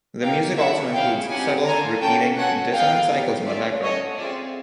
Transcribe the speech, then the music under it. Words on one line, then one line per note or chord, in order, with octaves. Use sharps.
The music also includes subtle, repeating, dissonant cycles in the background.
A#3 D#4 G4 F5 G5
A#3 D4 F#4 E5 F#5
C#4 E4 G#4 F5 G5
C4 D#4 G4 F#5 G#5
A#3 D4 F4 A4 G#5 A#5
A#3 C#4 F#4 G5 A5
C#4 F#4 A4 F#5 G#5
B3 D#4 G#4 F5 G5
B3 D#4 G4
C#4 F4 G#4 D5 E5
A3 C#4 F#4 A4 C#5 D#5
C4 F4 G#4 D5 E5